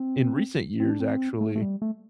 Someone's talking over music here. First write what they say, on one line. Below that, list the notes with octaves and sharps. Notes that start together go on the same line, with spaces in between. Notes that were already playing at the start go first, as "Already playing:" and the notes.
in recent years, actually,
Already playing: C4
C4
D4
C4
A3
A3
G3
A3